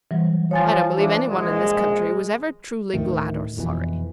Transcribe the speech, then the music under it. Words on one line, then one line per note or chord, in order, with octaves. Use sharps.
I don't believe any one in this country was ever truly glad or sorry.
E3 F#3 G3
F3 C#5 G#5 A6
E3 F3 D4
A#1 G#3
D2 A2 D#3 A3
E1 F2 B2 E3